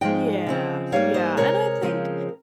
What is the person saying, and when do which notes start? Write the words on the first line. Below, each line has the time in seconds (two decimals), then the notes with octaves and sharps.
Yeah, yeah. And I think
0.01 G#2 F3 G#3 D#5 G5
0.46 C#3 F3 C4
0.92 G#2 G3 A#3 C#5 F5
1.14 C5 D#5
1.37 C3 F3 G#3 A#4 C#5
1.82 C#3 F3 G#3 C4